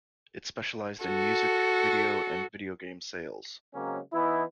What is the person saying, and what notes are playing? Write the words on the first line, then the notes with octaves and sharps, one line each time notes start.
It specialized in music, video, and video game sales.
F#4 A4
C#3 F#3 G#3 A#3 C4 C#4
E3 B3 D#4 E4